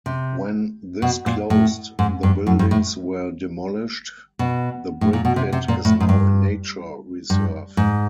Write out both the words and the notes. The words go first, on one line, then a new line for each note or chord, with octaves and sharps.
When this closed the buildings were demolished; the brickpit is now a nature reserve.
C3
B2
A#2
A2
G#2
G2
F#2
G2
A2
B2
A2
A#2
B2
C3
C3
A#2
A2
G#2
G2
G2
G#2